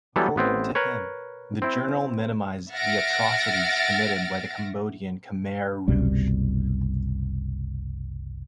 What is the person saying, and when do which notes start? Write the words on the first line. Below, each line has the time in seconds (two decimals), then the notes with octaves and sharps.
According to him, the journal minimized the atrocities committed by the Cambodian Khmer Rouge.
0.16 E3 F#3 G3 B3 A4
0.36 A1 B3 C4
0.75 A#4 B4 C#5
1.62 C4 E4
2.72 E5 F#5 F6 A6 A#6 D7
5.88 F#1 C2 B2 G3